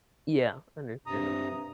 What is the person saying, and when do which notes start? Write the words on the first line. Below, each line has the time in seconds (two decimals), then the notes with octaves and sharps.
Yeah, understandable.
1.07 G2 C3 A#5 D#6